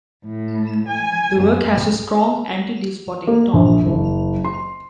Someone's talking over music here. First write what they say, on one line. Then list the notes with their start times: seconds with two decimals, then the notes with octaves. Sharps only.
The work has a strong anti-despotic tone.
0.25 A2
0.87 G#5
1.40 F#2
3.27 A#3
3.54 A#1
3.86 F#1
4.44 C6